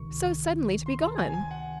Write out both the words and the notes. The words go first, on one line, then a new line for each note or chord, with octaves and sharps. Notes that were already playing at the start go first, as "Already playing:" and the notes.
So suddenly to be gone!
Already playing: C#2 C3 D#3 C#6
C6
A5
G#5
G#5
F#5